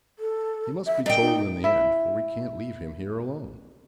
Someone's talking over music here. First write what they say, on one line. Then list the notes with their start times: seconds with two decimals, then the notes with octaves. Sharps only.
"He must be told in the end, for we can't leave him here alone."
0.19 A4
0.87 E5
1.06 A#2 D#5 G5
1.21 D#4
1.64 E4 E5